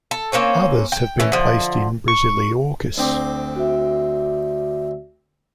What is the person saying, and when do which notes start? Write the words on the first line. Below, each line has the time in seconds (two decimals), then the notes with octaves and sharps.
Others have been placed in "Brasiliorchis".
0.11 A4
0.32 A#3 C4 C#4 C#5
0.92 G5
1.20 E3 C#4
1.32 D3 F3
2.08 C#6
2.98 D2 C4 D6
3.56 F#4 E5